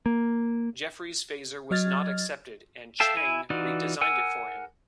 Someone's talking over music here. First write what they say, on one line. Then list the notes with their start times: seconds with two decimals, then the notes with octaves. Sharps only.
Jefferies' phaser was not accepted, and Chang redesigned it for him.
0.06 A#3
1.71 F#3 D#5 F6 G#6 A6
3.00 A4 E5 F5 G5 A5
3.17 E4 G#5
3.50 E3 D#4 F4 F#4 D5
4.01 A#4 F#5 G#5 E6